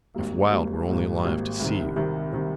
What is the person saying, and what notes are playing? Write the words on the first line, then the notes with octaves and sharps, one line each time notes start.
If Wilde were only alive to see you!
G#1 G#2 G3 A#3
G#1 G#2 G3 A#3
G#1 G#2 G3 A#3
G#1 G#2 G3 A#3
C2 C3 D#3
C2 C3 D#3
C3 D#3